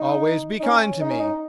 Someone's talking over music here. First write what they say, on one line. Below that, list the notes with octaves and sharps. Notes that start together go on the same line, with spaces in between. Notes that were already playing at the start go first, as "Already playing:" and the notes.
Always be kind to me.
Already playing: D#4
D#4
C#4
D#4
C#4
D#4